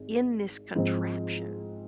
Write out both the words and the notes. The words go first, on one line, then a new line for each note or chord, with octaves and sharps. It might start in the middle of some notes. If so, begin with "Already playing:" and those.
in this contraption.
Already playing: G#1 G#2
G#2 F3 C4